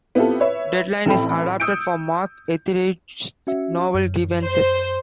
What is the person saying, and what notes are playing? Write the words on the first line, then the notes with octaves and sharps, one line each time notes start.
Deadline is adapted from Mark Ethridge's novel Grievances.
B3 C4 E4 F4 G4 A4
B4 C#5 E5
A1 C4 A4 G5 B5
D#6 E6 G6 C#7 D7
C#4 F#4 E5
F#2
C5